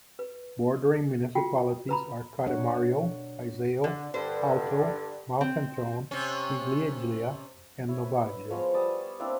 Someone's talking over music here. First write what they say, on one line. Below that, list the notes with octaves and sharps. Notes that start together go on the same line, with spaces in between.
Bordering municipalities are Cademario, Iseo, Alto Malcantone, Miglieglia and Novaggio.
B4
F4 F#4 G5
B4 A#5 B5
B2 D4 C#5 F#5
D3
G2 D3 C5
C4
C3 C#4
E4 C#5
B4
F3 G#3 B3 C#5
G3 A5 D#6
A#3 C4 D4 E4